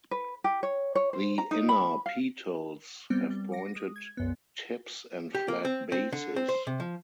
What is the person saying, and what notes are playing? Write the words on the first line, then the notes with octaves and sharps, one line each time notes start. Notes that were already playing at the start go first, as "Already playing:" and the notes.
The inner petals have pointed tips and flat bases.
B4
G4
C#5
C#5
C5
A#5
D#4
B5
F5
G3 B3 C4
G3
D6 A#6
G#3 D#6
G#6
C2 F#2 B3
G4
A#3
C4
C4
D3
C4
C5
C3
F3